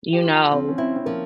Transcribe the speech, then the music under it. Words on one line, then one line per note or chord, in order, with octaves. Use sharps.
you know,
G4
F3 F4
F3 C4
C#4
C4 E4
C4
F3 A#3